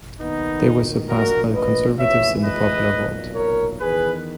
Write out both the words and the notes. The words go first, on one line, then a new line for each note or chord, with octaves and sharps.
They were surpassed by the Conservatives in the popular vote.
D#2 D#3 B3 D#4
A#1 A#2 F#4 A#4
B4 D#5
G#1 G#2 E3 C#5 E5
B4 D#5
B1 A#2
A#4 C#5
E2 D#3 G#4 B4